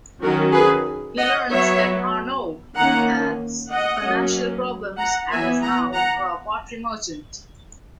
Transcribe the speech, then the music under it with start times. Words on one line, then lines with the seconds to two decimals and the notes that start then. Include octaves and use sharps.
He learns that Arnoux has financial problems and is now a pottery merchant.
0.22 D#3 F#3 C#4 F#4 A#4
0.54 G#4 B4
1.17 D#5 F#5
1.50 F#3 B3 C#5 E5
2.77 D#3 A#3 C#4 F#5 A#5
3.72 D#5 F#5
4.03 F#3 A#3 C#4
4.99 F#5 A#5
5.31 E3 B3 E5 G#5
5.62 F#5 A#5
5.95 F#5 A#5